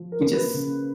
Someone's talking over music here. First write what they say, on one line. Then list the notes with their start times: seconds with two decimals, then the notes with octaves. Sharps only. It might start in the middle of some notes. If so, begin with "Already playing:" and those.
You just
Already playing: F3
0.12 A#4
0.22 A#3
0.33 B4
0.54 C#3